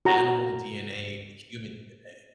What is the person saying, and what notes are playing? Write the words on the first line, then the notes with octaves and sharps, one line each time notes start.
animal DNA with human DNA, and
F#4 A#5